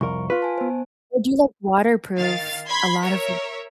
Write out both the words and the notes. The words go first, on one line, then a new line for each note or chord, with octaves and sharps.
Or do like waterproof, a lot of
C2 F2 A#4 C#6
F4 B4
G#5 A5
B3 C5
D#3 F5 A6
B5 C6 G#6 B6
A#4 C#5 E5